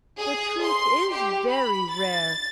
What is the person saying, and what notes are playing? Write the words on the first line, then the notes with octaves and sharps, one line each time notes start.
The truth is very rare.
G#4
C6
G4
B5
A6